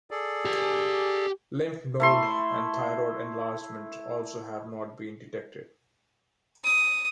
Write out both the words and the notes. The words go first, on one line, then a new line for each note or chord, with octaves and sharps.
Lymph node and thyroid enlargement also have not been detected.
G#4 A4 D5
G4 G#5
A3 E4 C6
D#6